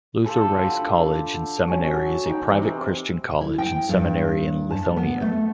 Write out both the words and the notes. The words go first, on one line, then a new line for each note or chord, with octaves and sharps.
Luther Rice College and Seminary is a private Christian college and seminary in Lithonia.
F4 G4 A4 B5
D3 B5
C#4 F#4
D#4 G5
C3 E3
E4
G5
G2
A5
B3
A3